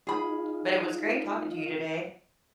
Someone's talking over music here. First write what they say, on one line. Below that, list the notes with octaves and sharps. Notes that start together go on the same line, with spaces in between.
But it was great talking to you today.
D#4 F4 G#4 B5